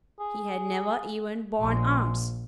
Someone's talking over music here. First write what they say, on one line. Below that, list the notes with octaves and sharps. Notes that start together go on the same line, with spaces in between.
He had never even borne arms.
G#4
A#1 G#3